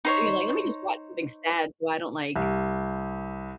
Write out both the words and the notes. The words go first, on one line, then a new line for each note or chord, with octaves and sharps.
So, you're like, "Let me just watch something sad so I don't, like,
D#4 C5 C#5
C2